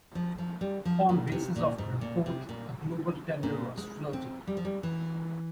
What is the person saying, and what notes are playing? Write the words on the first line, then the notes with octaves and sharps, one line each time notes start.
On basis of the report, a global tender was floated.
F3
F3
G3
F3
A#2
C#3
C3
A#2
G#2
A#2
C3
A#2
A#2
G#3
C4
G3
F3
G3
E3